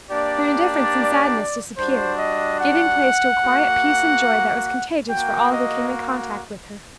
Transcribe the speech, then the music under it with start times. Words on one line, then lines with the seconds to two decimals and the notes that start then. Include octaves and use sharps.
Her indifference and sadness disappeared, giving place to a quiet peace and joy that was contagious for all who came in contact with her.
0.10 A#3 D4 G4 D5
1.76 G3 D4 F#4 C5
2.18 D#5
2.60 F#5
3.44 A#3 F#4
5.10 A#3 F#4 G5
5.51 D#5